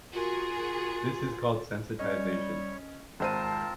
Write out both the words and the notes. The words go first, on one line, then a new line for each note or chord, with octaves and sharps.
This is called sensitization.
F4 F#4 G#4 A#4
G3 C#4 C#5 D#5
G#1 C4 F4 A#4 C5 A5 D#7